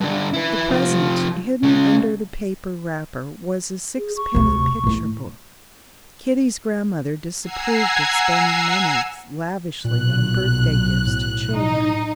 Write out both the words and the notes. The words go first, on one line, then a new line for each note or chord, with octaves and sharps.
The present hidden under the paper wrapper was a sixpenny picture-book. Kitty's grandmother disapproved of spending money lavishly on birthday gifts to children.
G2 D3
E4 B4
C3 F3
C#3 G#3
G#4
C#6
D2 C3
A2 A3
F#5 G#5 A#5 E6 G#6 C7
B1 A#2 F#6
A2
D#4